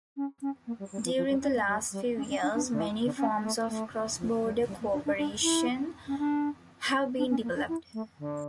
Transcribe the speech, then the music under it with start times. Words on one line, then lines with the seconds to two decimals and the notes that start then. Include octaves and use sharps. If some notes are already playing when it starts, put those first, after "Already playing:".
During the last few years, many forms of cross-border co-operation have been developed.
0.17 C#4
0.42 C#4
0.67 A#3
0.79 G3
0.92 G3
1.04 F3
1.17 F3
1.30 G3
1.41 C#4
1.55 A3
1.67 G3
1.92 G3
2.17 C#4
2.29 C#4
2.42 D4
2.55 D4
2.71 D3
2.79 E3
3.04 D3
3.17 C#4
3.43 A3
3.68 A3
4.18 F3
4.43 G3
4.68 G3
4.80 A#3
4.93 D4
5.05 D4
5.18 D4
5.43 E4
6.08 C#4
6.18 D4
7.18 D4
7.30 C#4
7.43 A#3
7.56 D4
7.68 E4
7.93 A3
8.18 D3